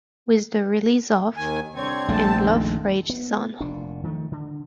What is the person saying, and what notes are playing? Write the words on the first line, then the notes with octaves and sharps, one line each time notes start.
With the release of ...and Love Rages on!
D#2 D#3 G#5
C2 D3 C4 C#5 G#6
A#1 G3 A3 A5
F2 D#3
B3
F1 A#2 D4
D#3 F3 G3 A3
D3